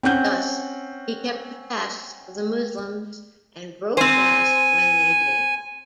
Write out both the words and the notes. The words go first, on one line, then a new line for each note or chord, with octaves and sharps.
Thus, he kept the fasts of the Muslims and broke fast when they did.
C4 C#4 F#5 G6
C4 C5 G#5